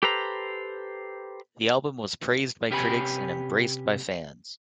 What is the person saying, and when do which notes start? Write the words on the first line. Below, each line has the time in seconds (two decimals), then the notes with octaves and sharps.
The album was praised by critics and embraced by fans.
0.03 G4 A4 B4 C5 A#5
2.71 C3 C#4 G4 B4 G#5 B5